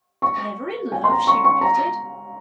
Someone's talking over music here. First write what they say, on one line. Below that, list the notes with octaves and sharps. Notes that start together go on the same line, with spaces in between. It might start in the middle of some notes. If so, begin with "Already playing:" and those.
"Never in love!" she repeated.
C#6
G#5
C6
A#5
C#6
C#6
A#5